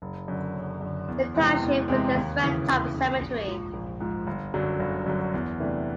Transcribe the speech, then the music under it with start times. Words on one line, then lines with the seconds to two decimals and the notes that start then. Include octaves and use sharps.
The township contains Redtop Cemetery.
0.02 F#1
0.28 F#2 D3
0.55 F#1
0.81 F#2 D3
1.08 E2
1.35 C3 E3 G#3 C4
1.61 E2
1.88 C3 E3 G#3 C4
2.15 D#2
2.40 C#3 E3
2.67 D#2
2.94 C#3 E3
3.20 A#1
3.47 G#2 F3
3.73 A#1
4.00 G#2 F3
4.27 G1
4.54 F#2 D3 F#3
4.80 G1
5.06 F#2 D3 F#3
5.34 E2
5.60 C3 E3 A3 D4